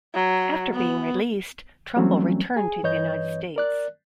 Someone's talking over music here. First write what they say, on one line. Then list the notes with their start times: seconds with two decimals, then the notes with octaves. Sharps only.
After being released, Trumbull returned to the United States.
0.14 F#3
0.74 B3
1.96 E3 F#3 G3 A3 C4 C#4
2.56 G#4 G#5
2.83 G2 E3 B4 C#5 D#5 G6
3.56 A#4 D5 F#6